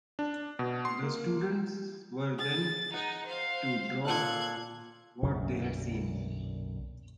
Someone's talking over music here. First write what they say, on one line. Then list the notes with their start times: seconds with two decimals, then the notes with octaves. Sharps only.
The students were then to draw what they had seen.
0.19 D4
0.59 B2
0.85 C6
1.03 A#3
2.39 G#4 A6
2.94 D#4 F#5
3.27 C5 F5
4.05 A#2 A4 F5 F#6 G#6
5.22 B1 F#2 A#2 D3